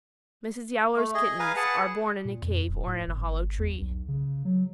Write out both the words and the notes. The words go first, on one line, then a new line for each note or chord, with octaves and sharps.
Mrs. Yowler's kittens are born in a cave or in a hollow tree.
A3
G#4 D#5
B4 F5 G#5 A#5
G#4 B4 F#5 A5
A#2
F2
D1
A2
G1
E2
B1
C#3
F#3